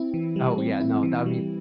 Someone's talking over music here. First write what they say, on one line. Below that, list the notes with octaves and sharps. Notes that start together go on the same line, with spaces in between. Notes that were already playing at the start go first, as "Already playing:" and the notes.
Oh, yeah, no, that mean
Already playing: C4 E4
E3
G3
C4
E4
E3
G3